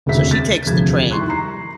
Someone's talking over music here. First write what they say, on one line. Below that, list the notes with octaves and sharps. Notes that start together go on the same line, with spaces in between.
so, she takes the train
E1 D2 C3 G#4 E5 B6
A6
E1 D2 C3 F3 G#4 G#6
G4
D#3 G3 E4 C6 C#6 F#6
A#5 C7